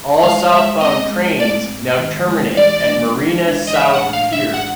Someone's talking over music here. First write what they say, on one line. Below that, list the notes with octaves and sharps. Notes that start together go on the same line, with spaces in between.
All southbound trains now terminate at Marina South Pier.
G#3 F5
G#3 E5
C4 D#5
G#3
G#3 D5
G#2
D#3
G#3
E3 D5
D4
D4
D4
D#5
E3 E5
F#5
A2
F5
D4 E5
F#5